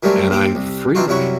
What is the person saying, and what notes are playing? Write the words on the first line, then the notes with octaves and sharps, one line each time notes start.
and I freak,
D#3 F#3 G3 A3 C4 C#4
D#2 C4 D6
C2
E3 C4 D4 D#4 F4 F#4
C2 F#2 F#3 E4 F#5 C#6